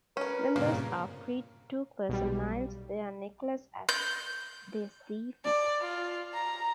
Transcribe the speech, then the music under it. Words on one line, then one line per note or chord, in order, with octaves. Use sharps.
Members are free to personalize their necklace as they see fit.
C#4 A#4 B4
G2 A#2 C#3 A#3 C4
B1 G3
G6
D5
F4
A#5